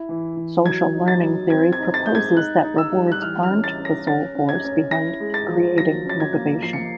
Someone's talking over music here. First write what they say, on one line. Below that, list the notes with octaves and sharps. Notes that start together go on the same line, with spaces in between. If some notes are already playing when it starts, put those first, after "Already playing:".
Social Learning theory proposes that rewards aren't the sole force behind creating motivation.
Already playing: E4
E3
E3
F#3 G#6
D#4
A6
F#3
C4 G#6
G#6
D#4
A6
G#3 G6
G#6
D#4 F#6
D#4
E6
G3
F#6
E3 F6
F6
C#4
A6
C#4
A#6
C#4 A6
C#4
G#6
C#4
E4 A#6
G#3
A6
F3
F#3 A#6
C#4 A6
G#6
A#3
F3 C7
C#7